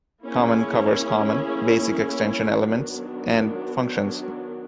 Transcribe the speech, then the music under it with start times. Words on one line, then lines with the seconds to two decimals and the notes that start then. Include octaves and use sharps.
Common covers common, basic extension elements and functions.
0.23 A#3 C#4 E4 G#4
2.62 D#3 F#3 B3 D4